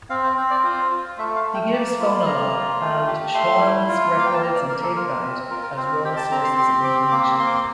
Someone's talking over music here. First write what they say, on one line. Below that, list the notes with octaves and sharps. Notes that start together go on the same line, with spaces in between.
He gives "Phonolog" and "Schwann's Records and Tape Guide" as raw sources of information.
C4 F5
C5
C4 C5
D5
F4 C5
F4
A3 E5
F5
A3
G5
A#3 A5
F4
A#3 A#5
F4
A3
G4
A3 C6
E4
F4
A#3 F5
G5
A5
A#3 A#5
D5
A#3 A#4
A4
F4 A#4
C4
F4 A#4
A#4
C4 C5
G4 G5
A5
C4 A#5
C6
G4 C6
C4 D6
A#3 D6
A#3 C6
D6
C6